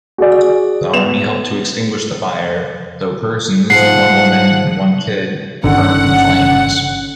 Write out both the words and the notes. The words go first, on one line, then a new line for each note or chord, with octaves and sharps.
The army helped to extinguish the fire: tho persons, one woman and one kid, were burnt from the flames.
F#4 G#4 D5
B3 E7 F7
G#2 F3 F#5 C7
G1 D3 D#3 C#4 F#5